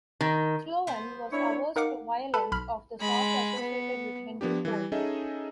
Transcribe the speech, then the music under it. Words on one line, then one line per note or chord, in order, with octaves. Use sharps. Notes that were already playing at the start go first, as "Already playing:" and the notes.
Sloan was averse to violence of the sort associated with Henry Ford.
D#3
B3 C5
D4 E4 C#5
D#4 A#4 F5 F#5 D6
A4 B4 A5 B5
B1 B5 F6
G#3 B5
B3
F3 B3 D4 G4
E3 G3
C#4 D#4 G#4 A4 D#5 E5